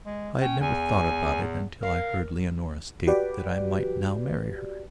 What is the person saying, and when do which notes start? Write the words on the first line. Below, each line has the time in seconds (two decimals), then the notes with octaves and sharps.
I had never thought about it until I heard Leonora state that I might now marry her.
0.06 G#3
0.40 C#4 G5
0.60 E2 G#5
1.82 A#4 F5
3.07 F#4 G4 B4 D5